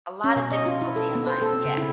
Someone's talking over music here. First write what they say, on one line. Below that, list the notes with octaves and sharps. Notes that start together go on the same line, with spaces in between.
A lot of difficulty in life, yeah,
C#4
B2
D#5
F4
E4
A4
B3
C5
A4
C4
C#3
E4